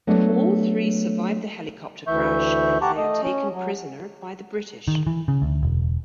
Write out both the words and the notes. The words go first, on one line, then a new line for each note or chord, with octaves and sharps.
All three survive the helicopter crash, and they are taken prisoner by the British.
F#3 A3 B3 D4
D2 E3 E5 C#6 G6
G4 F#5 A5 A#5 C#6 D6
A3 D#5
C#4
F#3
D#3
E3
C#3
D2
E1